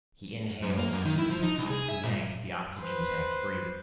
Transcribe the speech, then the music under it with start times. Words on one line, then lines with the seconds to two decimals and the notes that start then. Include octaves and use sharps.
He inhaled deeply and yanked the oxygen tank free.
0.62 F#2
0.78 A#3
0.93 F#2
1.05 D#3
1.18 E4
1.30 F3
1.43 D#4
1.58 C2
1.70 G#4
1.88 E5
2.04 A#2
2.79 B4 C5